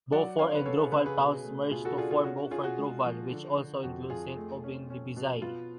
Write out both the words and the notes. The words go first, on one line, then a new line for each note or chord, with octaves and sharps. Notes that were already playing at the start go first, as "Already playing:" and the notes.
Beaufour and Druval towns merged to form Beaufour-Druval, which also includes Saint-Aubin-Lébizay.
F#3 D5 F#5
C#4 C#5 F5
B4
C#4 A4 C#5
G#4 B4
C#3 G#4 B4
G#4 B4
B2
A3
B2 F4 G#4
F#4 A4
D4 F4 G#4
F4 G#4
C#4 F#4
C#4 F4 G#4
F#4
G#3
F3
D3
D3
F2 F#4
F2 F4 G#4
A3
C#4
C#4
B2
B3 F4